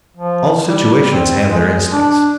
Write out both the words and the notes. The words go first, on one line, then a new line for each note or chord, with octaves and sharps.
All situations have their instincts.
F3
G3
C4
G#3
D4